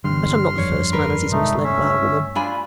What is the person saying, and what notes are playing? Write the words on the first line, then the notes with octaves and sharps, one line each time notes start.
But I'm not the first man as is misled by a woman.'
G2 D3 E3 B3 C6 F6
F2 D#3 F3 C#5
D4 A#4 B4
C3 G#3 A3 D#4
A3 C#4 E5
D4 F4 G#5 B5